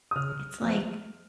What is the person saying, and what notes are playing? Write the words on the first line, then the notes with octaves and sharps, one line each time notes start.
it's like
D#6
C#3 F6
F3 B3